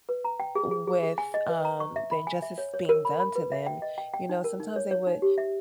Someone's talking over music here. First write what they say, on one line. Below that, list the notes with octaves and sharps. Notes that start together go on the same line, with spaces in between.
with, um, the injustice being done to them, you know, sometimes they would
B4
A#5
G5
G#4
G#4
G#4
G#4
G#5
D#5
B4
A#5
C#6
E5
B5
G#5
E5
C#5
C#5
A#4
B5
B5
B4
E5
G5
D#5
G5
G5
D#4
A#4
D#4
C#5
C#5
D#4
G4
E5